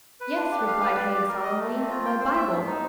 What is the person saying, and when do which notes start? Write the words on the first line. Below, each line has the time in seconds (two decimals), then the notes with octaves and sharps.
"Yes," replied Haig solemnly, "my Bible!"
0.21 B4
0.36 D4
0.51 G4
0.67 F5
0.82 B4
0.97 D5
1.13 G4
1.28 A#4
1.43 D#5
1.59 A3
1.74 C4
1.90 F4
2.05 G5
2.21 C5
2.36 E5
2.51 B3
2.67 D#4